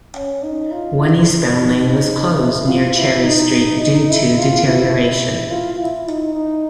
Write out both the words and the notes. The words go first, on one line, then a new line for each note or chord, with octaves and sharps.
One eastbound lane was closed near Cherry Street due to deterioration.
C#4
D#4
F4
E4
D#4
E4
F4
E4
D#4
D#4
E4
F4
E4
F4
E4
D#4
D#4